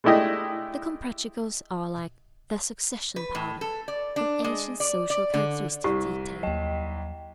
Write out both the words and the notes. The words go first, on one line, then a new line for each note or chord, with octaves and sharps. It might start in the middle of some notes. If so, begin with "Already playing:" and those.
The Comprachicos are like the "succession powder," an ancient social characteristic detail.
G#3 A3 D4 E4 G4 D#5
B4
A2
A4
D5
D4
G#3
D5
D5
D3
C2 G4
D#2 F#3 D#5 G5